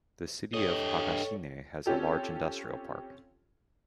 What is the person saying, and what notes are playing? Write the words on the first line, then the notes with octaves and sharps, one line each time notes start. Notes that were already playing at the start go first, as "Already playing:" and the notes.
The city of Higashine has a large industrial park.
G2 A4 C#5 D#5
C4 C#4 F4 G4 A4